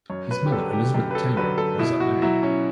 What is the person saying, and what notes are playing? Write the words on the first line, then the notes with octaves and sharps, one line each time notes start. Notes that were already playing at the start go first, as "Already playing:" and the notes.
His mother, Elizabeth Taylor, was unmarried.
F#2 C#5
B4
G4
D3 F#3 A4
G4
F#2 G4
B4
A4
D3 F#3 B4
A4
B2 E4
F#4
F#3 E4
C#4